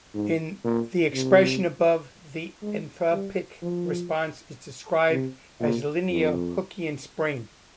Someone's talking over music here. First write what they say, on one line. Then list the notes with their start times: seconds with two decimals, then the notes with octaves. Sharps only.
In the expression above, the enthalpic response is described as a linear Hookian spring.
0.14 G#2
0.64 A#2
1.13 C3
2.62 G#3
3.12 G3
3.62 F3
5.10 C3
5.60 A#2
6.10 F2